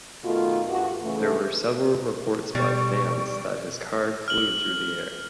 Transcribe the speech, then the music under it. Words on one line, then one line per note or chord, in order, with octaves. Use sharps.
There were several reports by fans that his car flew through the air.
B2 D#3 A3 F4
G2 F#4
C#3 E3 A3
B2 G3 D5 C#6
F6 F#7